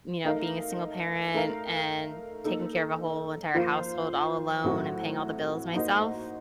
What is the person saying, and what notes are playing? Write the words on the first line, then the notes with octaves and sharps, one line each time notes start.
you know, being a single parent, and taking care of a whole entire household all alone and paying all the bills myself.
A3 D#4 A#4 F5
A3 D#4 A#4 F5
A#3 D#4 A4
F3 A#3 F4 C5 F5
A2 F#3 A3 C4 F#4
A#3 D#4 F#4 C5 D#5